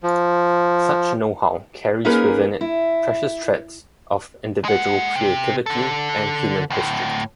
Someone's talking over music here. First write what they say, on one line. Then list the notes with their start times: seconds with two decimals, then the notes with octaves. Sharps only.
Such know-how carries within it precious threads of individual creativity and human history.
0.03 F3
2.05 A#3 C#4 D#4 G#4 A#4 B4
2.61 E4
4.65 G#3 F#5
5.16 C3
5.66 D3 A4
6.70 D2 A2